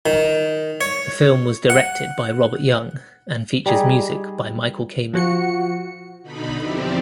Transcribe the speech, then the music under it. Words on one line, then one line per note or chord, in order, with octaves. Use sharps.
The film was directed by Robert Young, and features music by Michael Kamen.
D#3
C#5
F#5
G3 D#4 G#4
F3 F#4 C#7
B2 D3 D#4 B5
E2 F3 C4 E4 G4 D5